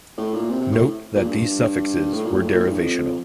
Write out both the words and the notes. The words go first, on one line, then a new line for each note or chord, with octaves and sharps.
Note that these suffixes were derivational.
A2
A#2
C3
C3
A2
A#2
G2
G2
A2
A#2
A2
A#2
A2
G2
F2